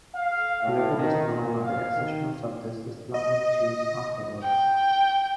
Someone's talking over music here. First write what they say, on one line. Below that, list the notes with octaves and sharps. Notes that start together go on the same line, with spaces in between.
Little is known of the existence of these Islamic Jews afterwards.
F5
A2
D#3
A#2
F5
D#3
D#5
G5